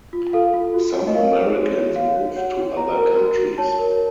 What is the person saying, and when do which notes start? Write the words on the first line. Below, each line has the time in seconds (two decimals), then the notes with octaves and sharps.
Some Americans move to other countries.
0.13 F4
0.33 A4 F5
0.54 F4
0.74 F#4
0.94 C#5
1.07 D#5
1.15 A#4 F5
1.35 C#5
1.55 F#4
1.75 C#5
1.95 F#4 F5
2.16 F#4
2.36 C#5 F#5
2.57 F#4
2.77 F#4 A#5
2.97 A#4
3.17 F#4
3.38 F#4
3.58 C#5 A5
3.79 A#4